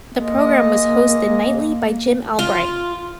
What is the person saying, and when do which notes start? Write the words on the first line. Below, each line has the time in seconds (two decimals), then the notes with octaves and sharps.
The program was hosted nightly by Jim Albright.
0.16 G#3 A#3 D#5
2.39 F4